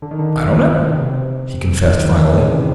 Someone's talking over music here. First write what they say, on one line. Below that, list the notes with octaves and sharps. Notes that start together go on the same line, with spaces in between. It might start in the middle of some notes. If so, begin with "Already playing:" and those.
"I don't know," he confessed finally.
D3
D#3
D3
B2
C3
D3
D#3
E3
D3
C#3
C3
C3